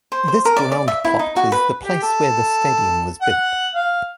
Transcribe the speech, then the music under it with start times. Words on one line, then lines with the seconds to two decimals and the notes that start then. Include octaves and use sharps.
This groundplot is the place where the stadium was built.
0.12 C5
0.28 C5
0.45 A#4
0.57 D5
0.72 D5
0.88 E5
1.05 E4
1.19 D#4
1.36 F#4
1.52 B4
1.82 G4
2.03 A4
3.22 F#5
3.75 F5